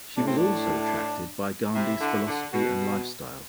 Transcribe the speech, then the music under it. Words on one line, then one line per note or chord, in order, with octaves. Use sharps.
She was also attracted by Gandhi's philosophy and lifestyle.
A2 D4
C4
D4
C3 E4
D3
D3
B2 F#4